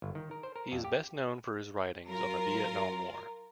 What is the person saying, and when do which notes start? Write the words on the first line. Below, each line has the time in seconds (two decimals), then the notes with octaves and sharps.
He is best known for his writings on the Vietnam War.
0.02 G1
0.15 D#3
0.31 A#4
0.43 C5
0.56 A#4
0.72 F2
0.84 G4
2.08 F#3 F4 A#4